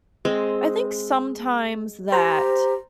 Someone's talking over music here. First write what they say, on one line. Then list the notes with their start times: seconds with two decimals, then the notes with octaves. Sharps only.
I think sometimes that,
0.25 G#3 C4
2.12 G4 C5 A#5